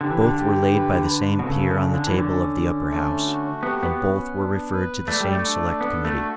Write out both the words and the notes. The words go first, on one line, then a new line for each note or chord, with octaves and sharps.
Both were laid by the same peer on the table of the Upper House; and both were referred to the same select committee.
D3 G4
E3
D3
G4
B4
B4
B2
C#3 A4
C#3
D4
D3
E3
D3 C#4
C#4
A3
F#4
B3 G4
B3
C#4
D4
B4
A3 D5
G3
A3
D4
B3 A4
A3
F#4